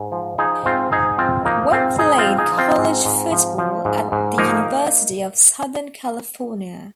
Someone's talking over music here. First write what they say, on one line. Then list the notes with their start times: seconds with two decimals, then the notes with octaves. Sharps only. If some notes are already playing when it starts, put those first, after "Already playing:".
Webb played college football at the University of Southern California.
Already playing: G#2
0.12 F3
0.38 F3 D#4 G#4
0.65 G#2 C4 F4
0.92 G#2 D#4 G#4
1.18 F3 C4 F4
1.45 F3 A#3 D#4
1.71 G#2 C4 F4
1.98 G#2 D#4 G#4
2.18 C4 F4
2.25 F3
2.38 D#4 G#4
2.52 F3
2.58 C4 F4
2.78 G#2
3.05 G#2
3.32 F3
3.58 F3
3.85 G#2
4.12 G#2
4.38 F3 A#3 D#4